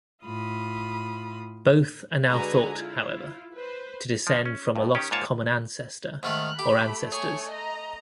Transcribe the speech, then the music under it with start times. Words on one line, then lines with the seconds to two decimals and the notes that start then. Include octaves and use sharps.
Both are now thought, however, to descend from a lost common ancestor or ancestors.
0.24 A2 F4 B5 D#6
2.28 D3 G#3 F#4 B4 G#5 A#5
2.74 E4 F4
3.54 B4 C5
4.27 F3
4.45 C#4
4.76 B1 G2
4.95 D#3 C#4 G4
5.11 G#2 A#3 F4 C#5 A5
6.23 G#2 D#3 A3 F6 F#6
6.59 A3 G4 B5
7.12 G#4 C#5 G#5
7.52 D#5 A#5